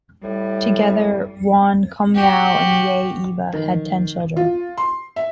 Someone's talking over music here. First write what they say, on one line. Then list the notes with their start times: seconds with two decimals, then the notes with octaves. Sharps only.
Together Won Cumyow and Ye Eva had ten children.
0.23 A2 G3
2.15 F#4 G4
3.53 D#3
4.37 F4
4.78 C6
5.16 E5